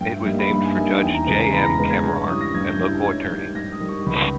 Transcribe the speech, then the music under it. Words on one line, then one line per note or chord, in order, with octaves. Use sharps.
It was named for Judge J. M. Kamrar, a local attorney.
G2 G5
E5
G3 A#3 D#4 E5
B5
G2 B5
G#5
G3 A#3 D#4 E5
G#5
E2 G5
A#5
C#3 G#3 B3 G#5
A#5
E2 B5
A#6
C#3 G#3 B3
G#6
G2
C#6
G3 C#4 E4 D#6
A#6
G2 G#6
G6
G3 C#4 E4 G#6
G#2 G#6
G6
D#3 G3
G#6
G#2 A#6
D#6
D#3 G3
C#6
C#2 B5